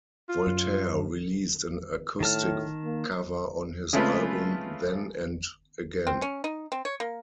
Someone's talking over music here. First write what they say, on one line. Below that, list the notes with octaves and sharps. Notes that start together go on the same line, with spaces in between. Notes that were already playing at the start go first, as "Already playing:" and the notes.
Voltaire released an acoustic cover on his album "Then and Again".
F4
F#2
A2 D#3 A5 F6
A#3
C#3 G#3 A3 C4 F4 B4
C4
C#4
D#4
C4
C#5
A#3